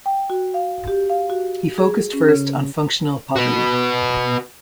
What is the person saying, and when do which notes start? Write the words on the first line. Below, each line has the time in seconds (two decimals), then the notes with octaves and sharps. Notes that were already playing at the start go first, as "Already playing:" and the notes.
He focused first on functional pottery.
0.06 G5
0.30 F#4
0.54 F5
0.88 G4
1.10 F5
1.30 F#4
1.78 G#4
2.13 C#4
2.29 C#3
3.36 F#4 B4